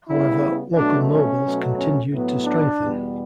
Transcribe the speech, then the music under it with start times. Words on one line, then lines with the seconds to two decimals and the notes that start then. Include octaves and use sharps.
However, local nobles continued to strengthen.
0.09 C#3 G3 B3 E4
0.76 B2 F#3 A3 D4
1.11 C#4
1.44 B2 F#3 A3
1.77 C#4
2.10 A2 F#3 B3
2.45 D4
2.78 E2 B2 G3 B3